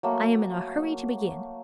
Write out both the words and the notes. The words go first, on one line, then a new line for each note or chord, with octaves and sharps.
I am in a hurry to begin.
F#3 A3 A#3